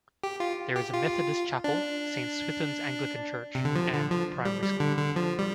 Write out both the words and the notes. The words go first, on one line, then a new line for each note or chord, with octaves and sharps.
There is a Methodist chapel, Saint Swithun's Anglican church, and a primary school.
G4
F4
G4
F4
D4
C3
D3
F3
D3
F3
G3
G3
D3
D3
F3
G3